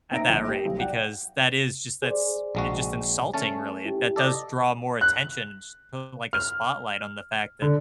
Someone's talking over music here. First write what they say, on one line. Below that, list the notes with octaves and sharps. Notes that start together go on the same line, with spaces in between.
at that rate, because that is just that's it's just insulting, really. That does draw more attention, just like a spotlight on the fact that
C4 D#4 E5 A#6 D7
A#1
G4
B1
D5 F#5 G5
G#4 C5 D5
A#1 G#3 F#4
A3 C#4 A5
E4 G4
A4 D5 D#5
F#6
F6
D3